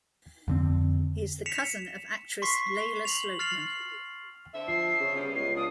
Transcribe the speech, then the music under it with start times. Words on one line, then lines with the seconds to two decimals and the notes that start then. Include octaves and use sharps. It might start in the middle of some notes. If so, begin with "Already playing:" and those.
He is the cousin of actress Lala Sloatman.
0.48 F2 D3 C4
1.46 B6 C#7 E7 F7
2.42 C6 C#6 B6 C7
3.05 F7 F#7
3.39 F6 A6 C7 F7 F#7
4.53 D3 C4 E5
4.68 F3 C7
5.00 C#3
5.16 G3 B3 C#4
5.36 C#2 C7
5.56 D4 F4 D#6